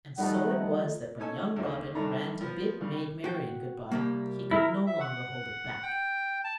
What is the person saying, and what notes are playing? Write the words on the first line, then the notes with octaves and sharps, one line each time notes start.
And so it was that when young Robin ran to bid Maid Marian good-bye, he could no longer hold it back.
D#3 F3 G3 A3 D#4 F#5
C#4 D#4 A4 G#5 E6
D#2 D3
G2 D#3 A3 D4 A4 A#5
F3 B3
C#3 G3
F#4 G5
C2 G3 A#3
E4 A#4
E5
F#5
G5
A5